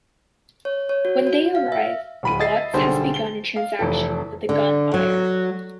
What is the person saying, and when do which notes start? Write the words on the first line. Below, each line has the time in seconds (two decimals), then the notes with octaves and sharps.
When they arrive, Watts has begun a transaction with a gun buyer.
0.65 C#5
0.89 C#5
1.05 F#4
1.27 F#4
1.55 F5
1.72 E5
2.23 D1 B5 D#7
2.39 D#5 E5 A6 C7
2.73 B1 D3 G3 G#4 C5 G5
3.14 G7
3.56 F5
3.79 F1 E3 A4
4.49 D3
4.94 F#3